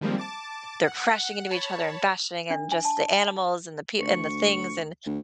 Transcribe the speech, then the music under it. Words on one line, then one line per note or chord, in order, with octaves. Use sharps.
they're crashing into each other and bashing and just the animals and the pe and the things and
D#3 F3 G3 G#3 A#3 C4
A5 D6 A6
F#5
C#5 A5 B5
D4
G#5
A5
D2 C#6
D2